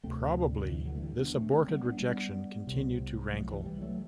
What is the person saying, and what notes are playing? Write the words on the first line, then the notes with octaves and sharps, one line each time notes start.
Probably this aborted rejection continued to rankle.
D2 C3 A3 C4
D3
E3
D3 F#3
A3
E3 G3
B3 D4
A3 C4
A3 C4
G3 B3
B3 D4
G3 B3
C2 C3
F#3 A3
E3 G3
E3 G3
F#3 A3